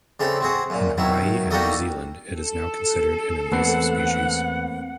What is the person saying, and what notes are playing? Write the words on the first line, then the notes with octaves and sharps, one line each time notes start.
In Hawaii and New Zealand it is now considered an invasive species.
C#3 A3 C4 D5 B5
C4 F#4 G#4
F#2 A#2
B2 D#3 F#3 E4
G3 A#3 D#4 F#4 A4 D#5
A4
E2 A3 A#3 C4 B4 F#5 C7